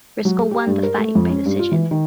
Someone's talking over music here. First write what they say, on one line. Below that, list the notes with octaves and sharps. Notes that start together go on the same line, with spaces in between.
Risco won the fight by decision.
F#3
G#4
G4
G2
A#4
A3
F2
C#4
G2
F4
E3
D#3